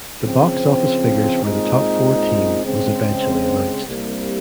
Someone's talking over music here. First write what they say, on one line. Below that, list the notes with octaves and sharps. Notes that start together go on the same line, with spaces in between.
The box office figures for the top four team was eventually announced.
C#3 F3 C4
A#2 G#3 C4 D#4
C#3 G#3 C4
C2 C3 G3 A#3